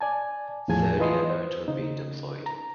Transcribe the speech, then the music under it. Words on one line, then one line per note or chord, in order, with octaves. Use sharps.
Thirty are known to have been deployed.
D5 G#5 A5
E2 A2 F3 G#4 G#5 A5
E3 F4 B4 D#5 C6 D#6
C5
C#3 D#4
A#5